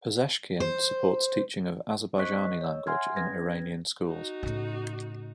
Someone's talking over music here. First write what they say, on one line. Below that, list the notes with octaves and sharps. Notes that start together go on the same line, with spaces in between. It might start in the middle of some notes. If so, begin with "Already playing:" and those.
Pezeshkian supports teaching of Azerbaijani language in Iranian schools.
C5
C4 C5 D#5 C#6 F#6 B6
D#5
C#5 E6
E5 F#5 G#5 C6 F6 G#6
C#4 B4 G#6 A#6
D#4 F#4
A2 C#3